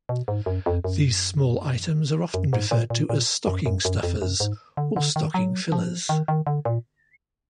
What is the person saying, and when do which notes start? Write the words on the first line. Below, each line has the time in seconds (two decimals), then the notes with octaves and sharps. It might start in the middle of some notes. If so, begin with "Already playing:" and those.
These small items are often referred to as stocking stuffers or stocking fillers.
0.09 B2
0.28 G#2
0.46 F#2
0.66 F2
0.84 F#2
2.34 F#2
2.53 G#2
2.71 A#2
2.90 A#2
3.10 A#2
3.47 F#2
3.66 F#2
3.85 F#2
4.03 F2
4.22 F#2
4.40 G#2
4.77 D3
4.96 D3
5.16 D#3
5.34 F#3
5.72 F3
6.09 D#3
6.28 D#3
6.47 D3
6.65 A#2